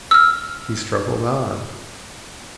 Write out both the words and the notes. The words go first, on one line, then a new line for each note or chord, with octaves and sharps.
He struggled on.
E6 F6